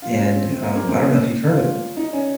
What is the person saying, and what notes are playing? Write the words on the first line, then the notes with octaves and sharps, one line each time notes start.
and, um I don't know if you've heard of him.
F4
C#4
C4
C4
A#3
A#3
C4
C#4
F4
D#4
C#4